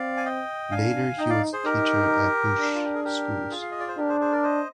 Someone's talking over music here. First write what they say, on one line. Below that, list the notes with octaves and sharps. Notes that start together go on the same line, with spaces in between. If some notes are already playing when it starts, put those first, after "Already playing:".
Later he was a teacher at bush schools.
Already playing: C4 D5 F5
G#5
D#5 G5
D4 F5 G#5
D#4 D#5 G5
D5 F5
G#4 C5
D#4 G4 A#4
D4
F4
G4
G#4
G4 A#4
F4 G#4
F5
D#5
D5
C5
D4 G4 A#4
G#4 C5
G#4 C5
A#4 D5
C5 D#5